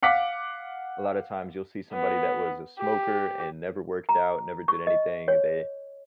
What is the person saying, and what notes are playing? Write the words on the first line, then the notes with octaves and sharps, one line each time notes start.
a lot of times, you'll see somebody that was a smoker and never worked out, never did anything. They,
F5 F#5 D6 B6
B3
G4
A#5
C#6
D#5
C#5